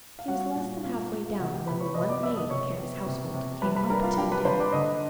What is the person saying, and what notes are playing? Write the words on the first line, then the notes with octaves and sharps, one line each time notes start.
He was less than half-way down when the one maid of Kara's household came up to meet him.
F5
G3 F#4 F#5
A#2
A#2 F4 F5
A#2
C3 F#4 F#5
G4 G5
C3 B4 B5
C#5 C#6
C3 D#5 D#6
D5 D6
F3 E5 E6
D#5 D#6
C3 C#5 C#6
B3
C3
C3
G3 B4 B5
B4 B5
D4 A#4 A#5
F4 F5
D4 G4 G5
B4 B5
D4 C5 C6
D5 D6
D3 D#5 D#6